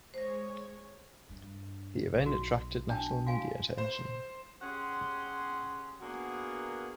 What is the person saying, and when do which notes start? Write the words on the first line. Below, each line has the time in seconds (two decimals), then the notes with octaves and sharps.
The event attracted national media attention.
0.14 G#3 C5 C#5 A#6
1.29 G2
2.13 B1 B2
2.26 F#4
2.90 D4 G5 A5
3.27 F#4 F5 G#5
3.78 C5
4.62 C#4 G4 G#4 F#5 C6
6.01 A#3 B3 D4 F#4 G#4 A#4